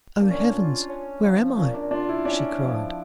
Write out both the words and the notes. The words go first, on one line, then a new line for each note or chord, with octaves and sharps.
"Oh, heavens, where am I?" she cried.
A#2 D4
C#4
D4
F4
C#4
F3
A#2 C#4
D4
D4 F4
E4
C#4 D4
F3